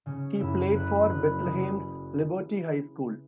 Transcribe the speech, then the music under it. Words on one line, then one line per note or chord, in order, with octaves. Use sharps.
He played for Bethlehem's Liberty High School.
C#3 C#4
F#2 E4
F#1 B4
F#1 B4
C#3 G#4